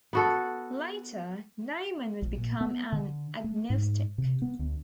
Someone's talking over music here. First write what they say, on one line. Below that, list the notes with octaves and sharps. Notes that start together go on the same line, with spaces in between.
Later, Neyman would become an agnostic.
B3 F#4 A4
A#1
A#2
B3
D3
A3
G#2
C3
B3
D2